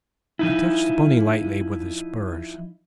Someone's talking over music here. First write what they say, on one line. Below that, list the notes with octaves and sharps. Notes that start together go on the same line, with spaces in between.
He touched the pony lightly with his spurs.
F3 D#4 E4